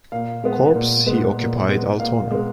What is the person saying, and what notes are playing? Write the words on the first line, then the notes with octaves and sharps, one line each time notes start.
Corps he occupied Altona.
A#2 F5
G#3 B3 F5
A#2
G#3 B3
A#2
G#3 B3
A#2 F5
G#3 B3